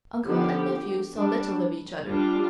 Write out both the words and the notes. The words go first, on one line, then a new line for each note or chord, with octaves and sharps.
Uncle and nephew saw little of each other.
D3 F3 B3 G4
G3 D4
G3 D4 F4